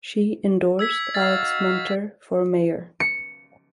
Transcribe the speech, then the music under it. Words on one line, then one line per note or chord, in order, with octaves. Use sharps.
She endorsed Alex Munter for mayor.
E6 G#6 B6
D#4 F#4 F5 G#6 A6
C#7